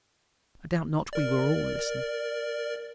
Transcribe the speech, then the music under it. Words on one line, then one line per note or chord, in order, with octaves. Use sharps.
I doubt not we were all listening.
A#4 D5